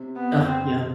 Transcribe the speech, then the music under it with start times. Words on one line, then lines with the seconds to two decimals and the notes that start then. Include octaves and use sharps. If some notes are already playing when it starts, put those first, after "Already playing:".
Ah, yum.
Already playing: C3
0.16 B3
0.30 F#1
0.45 C4
0.73 C3